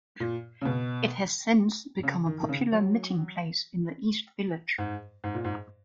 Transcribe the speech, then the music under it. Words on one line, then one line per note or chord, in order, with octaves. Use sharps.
It has since become a popular meeting place in the East Village.
A#2
C#3
B2
C#3
D#3
D#3
C#3
F#3
G#2
G#2
A#2
G#2